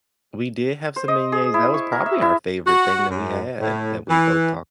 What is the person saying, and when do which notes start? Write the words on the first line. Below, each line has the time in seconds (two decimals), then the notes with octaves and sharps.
We did have some beignets, that was probably our favorite thing that we had, that we both talk
0.96 C5
1.08 D#5
1.32 G#4
1.54 E4
1.74 C#6
1.92 A#4
2.06 E5
2.22 E4
2.66 F#4
3.09 F#2
3.60 A2
4.09 E3